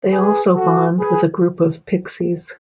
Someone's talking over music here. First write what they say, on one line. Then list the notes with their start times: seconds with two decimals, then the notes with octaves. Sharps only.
They also bond with a group of pixies.
0.10 G#4 B4
0.55 F#4 A4
0.99 G#4 B4